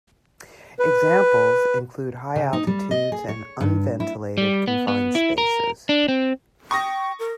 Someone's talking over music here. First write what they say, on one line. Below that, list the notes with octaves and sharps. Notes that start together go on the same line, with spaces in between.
Examples include high altitudes and unventilated, confined spaces.
B4
C#3
D#4
G3
D#5
G#4
C#5
G2
E4
G3
B3
B3
E4
A#4
D4
C4
G5 C#6 D#6 A#6
A#4